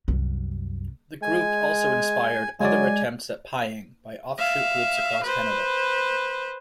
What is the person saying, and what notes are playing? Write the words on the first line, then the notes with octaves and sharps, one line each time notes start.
The group also inspired other attempts at pieing by offshoot groups across Canada.
C2 F#2
G#3 G#5
F#3 G#3 D5 G#5
E5 F5
B4 C5